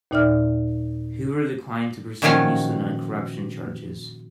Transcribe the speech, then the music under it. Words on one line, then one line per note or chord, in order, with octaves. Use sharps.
Hoover declined to pursue Eastland on corruption charges.
D#2 A#2 D#4 D5 E5 F6
A#2 D#3 F3 F#3 C#4 F5